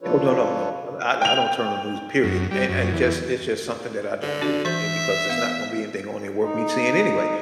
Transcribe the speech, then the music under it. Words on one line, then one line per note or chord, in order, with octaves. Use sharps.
Oh, no, no, no I I don't turn on news, period and and it just it's just something that I don't do and and because there's not gonna be anything on there worth me seeing anyway.
F3 D4 F4 A4 B4 C#5
G5 F7
F#2
G3
F#2
E2
D3
D4 F#4 D5
E3 C5 E5
B3 F5
D#4